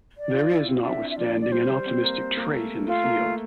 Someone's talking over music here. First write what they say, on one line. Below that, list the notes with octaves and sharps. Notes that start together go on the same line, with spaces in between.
There is notwithstanding an optimistic trait in the field.
D5
F4
E4
C4
D4 E5
E5
F3 D5
D5
G3 C5
G3
C4
A#3
A#3
A3
A3 F4
A#3
A3